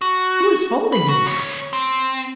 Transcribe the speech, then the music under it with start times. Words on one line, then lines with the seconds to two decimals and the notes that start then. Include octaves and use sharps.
Who is holding me?'
0.01 F#4
0.92 D2 B5
1.09 F#4
1.26 D2 C#5
1.73 C4